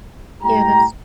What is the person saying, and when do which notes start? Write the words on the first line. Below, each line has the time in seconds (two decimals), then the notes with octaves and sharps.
Yeah, that's
0.42 A2 G3 G5 A#5